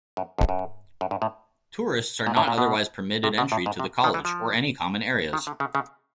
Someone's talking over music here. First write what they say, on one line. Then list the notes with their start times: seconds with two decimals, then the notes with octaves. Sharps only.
Tourists are not otherwise permitted entry to the college or any common areas.
0.17 F#2
0.38 F2
0.49 F#2
1.01 F#2
1.11 G2
1.22 A2
2.27 A#2
2.37 A2
2.48 A#2
2.58 B2
3.24 C3
3.38 B2
3.52 A2
3.66 G#2
3.79 C3
4.04 D#3
4.14 E3
4.25 F3
5.33 D#3
5.47 D3
5.60 C#3
5.75 C#3